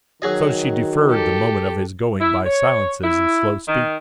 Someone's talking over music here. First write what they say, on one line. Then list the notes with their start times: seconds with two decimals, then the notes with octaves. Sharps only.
So she deferred the moment of his going by silences and slow speech.
0.22 D#3 F#3 F#4 G#4 D#5
1.11 G4 A4
2.20 E4
2.46 C#5
3.03 E4
3.67 D#3